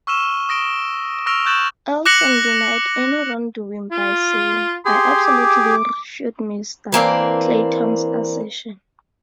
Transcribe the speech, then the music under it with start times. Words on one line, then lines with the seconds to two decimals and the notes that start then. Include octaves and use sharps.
Olsen denied any wrongdoing by saying ...I absolutely refute Mr Clayton's assertion.
0.07 C#6 E6 F6 D#7 E7 G7
0.49 D#6 A#6 D7 G7
1.26 C#6 E6 F6 A#6 D7 F7
1.45 C#6 F#6 G6 A6 E7 F#7
2.06 D6 F#6 A#6 C#7 F#7
3.91 F4
4.85 G4 G#4 C6
5.23 D6
6.92 E3 A#3 C4 D4